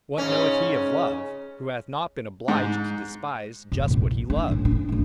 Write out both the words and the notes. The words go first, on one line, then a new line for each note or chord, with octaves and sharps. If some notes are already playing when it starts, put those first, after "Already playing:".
What knoweth he of love who hath not been obliged to despise just what he loved!
G#2 C#3 C#4
G#2
F#2 C3
A#1 E2
D4
A1 C#4
D4
G#1 A3